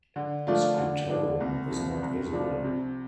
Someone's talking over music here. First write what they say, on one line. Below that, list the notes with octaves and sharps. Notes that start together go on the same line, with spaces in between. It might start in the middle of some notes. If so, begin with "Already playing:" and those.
Scutellum is not visible.
D3
F3 A3 D4 F4
D3
F3 D4
C2
C3 F3
C2
C3 F3 D4 F4
C3